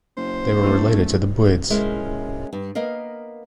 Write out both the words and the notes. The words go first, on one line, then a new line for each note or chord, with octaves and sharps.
They were related to the Buyids.
F#1 C5
A3 C#4 D4 E4
G#3 C#4 E4 A#4 C5
G2
A#3 B3 A#4 D#5 F5